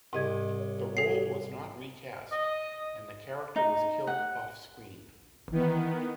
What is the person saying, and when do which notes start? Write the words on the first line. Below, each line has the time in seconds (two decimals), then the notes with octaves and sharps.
The role was not recast, and the character was killed off-screen.
0.13 C2 G#2 D#5 G#6
0.59 C#5
0.97 A4 C7
2.32 D#5
3.56 D#4
4.07 F#5
5.52 D#3 E3 B3